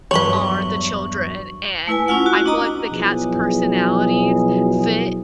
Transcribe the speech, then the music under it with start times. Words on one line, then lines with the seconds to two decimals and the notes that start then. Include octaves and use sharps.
are the children and I feel like the cats' personalities fit
0.11 E2 G2 F#3 B4 C#5 C#6 F#7
1.87 A3 E4 B4 G#5
2.08 C#4 E4 F4 F#5
2.26 F#4
2.46 D4 D#5 A#5 D#6
2.92 B2 F3 F#3 E4 G#4